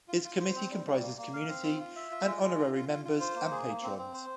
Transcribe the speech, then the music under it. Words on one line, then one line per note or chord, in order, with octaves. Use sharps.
Its committee comprises community and honorary members, and patrons.
F4
F4
C5
C4
G3
G3
A#3
A#3
F5
C4
F4
F4
E5
F4
G#3
G#3
F4
F4
F4
F4
C5
A#3
G#4
A#3
C4
C4
C5